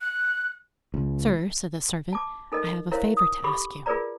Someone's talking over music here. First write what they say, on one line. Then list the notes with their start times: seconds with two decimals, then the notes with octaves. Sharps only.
"Sir," said the servant, "I have a favour to ask you."
0.01 F#6
0.94 C#2
2.13 A5 D6
2.52 D#4 A4 A#4 D#5
2.91 E4 A#4 C5 C#5 E5 F5
3.17 D#6
3.44 G4 A4 B5 C#6 D6
3.86 F4 G#4 A#4 B4 D5 A#5